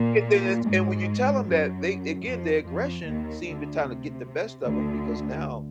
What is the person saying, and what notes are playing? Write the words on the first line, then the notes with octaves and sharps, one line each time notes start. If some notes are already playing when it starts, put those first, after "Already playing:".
And then it's and when you tell 'em that, they again, their aggression seem the time the get the best of 'em because now,
Already playing: A#2 A#3
G#2 G#3
F#2 F#3
F2 F3
F2 F3
D#2 D#3
D2 D3
C3
D2 D3